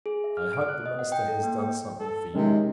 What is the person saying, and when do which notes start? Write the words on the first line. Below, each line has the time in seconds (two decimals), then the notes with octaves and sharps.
I hope, the minister has done something for you.
0.06 G#4
0.24 E5
0.37 F6
0.53 D7
0.69 F#6
0.86 D#5
0.99 F#5
1.12 G5
1.28 A4
1.43 A#3
1.59 G5
2.00 A4
2.35 C3 D#3 G#3 C#4